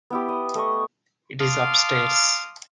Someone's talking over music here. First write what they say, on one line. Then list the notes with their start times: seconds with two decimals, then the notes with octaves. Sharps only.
It is upstairs.
0.10 B3 E4 G4
0.29 D#5
0.55 A3 D#5 C#6
1.40 F5 A5 C6 D6 D#6 F6